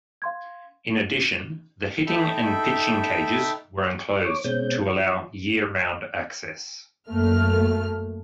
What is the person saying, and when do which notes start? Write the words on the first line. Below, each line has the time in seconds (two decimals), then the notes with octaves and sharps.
In addition, the hitting and pitching cages were enclosed to allow year-round access.
0.22 F5 C6 G#6
2.07 D#4 A4 E5 G5 B5
4.25 C#5 D6
4.44 B2 G#3 C4 C#4 G6
4.86 F3
7.10 F#2 A3 A#3 F6